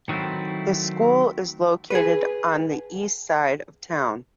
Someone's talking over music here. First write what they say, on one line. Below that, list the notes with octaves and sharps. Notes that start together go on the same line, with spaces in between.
The school is located on the east side of town.
D#3 F#3 A3 C4 E4
G#4 B4